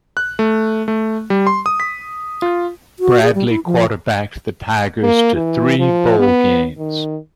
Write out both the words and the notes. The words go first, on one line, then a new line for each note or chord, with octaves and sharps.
Bradley quarterbacked the Tigers to three bowl games.
F#6
A3
A3
G3
C6
D#6
B6
F4
F#4
G#4
G3
E4
F3
A#3
E3
F3
B3
D#3